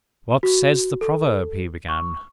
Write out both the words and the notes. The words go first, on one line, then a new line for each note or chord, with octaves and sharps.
"What says the proverb?" he began.
F#4
A4
C#6